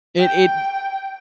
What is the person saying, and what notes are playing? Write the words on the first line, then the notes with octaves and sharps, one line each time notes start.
It it,
G5